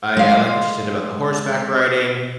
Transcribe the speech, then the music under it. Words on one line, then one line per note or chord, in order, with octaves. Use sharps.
I I like what you said about the horseback riding.
G#3 F5